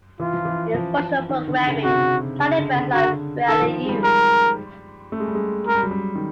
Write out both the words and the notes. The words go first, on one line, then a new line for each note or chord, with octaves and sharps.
In functional programming, side effects are rarely used.
E3 F4
F3
E3
F3
D#3
D3
C#3
C3 F#4
C#3
D3
D3
D3 F#4
D#3 A4
F3
G#3
G3
A#4
A3
G#3
G3
G#3
G#3 A#4
G3
F#3
G3
D#3